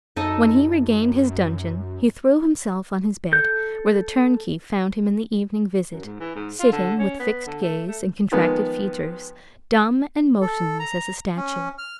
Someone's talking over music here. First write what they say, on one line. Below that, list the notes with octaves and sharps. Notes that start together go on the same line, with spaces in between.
When he regained his dungeon, he threw himself on his bed, where the turnkey found him in the evening visit, sitting with fixed gaze and contracted features, dumb and motionless as a statue.
F#2 D#4 A4 D#5
A4 G6
F#2
G#2
E3
G#2
F4
D3
C#4
B3
D3
A3
A3
D#3 F3 G#3 B3
A4
A#5
C#4
F6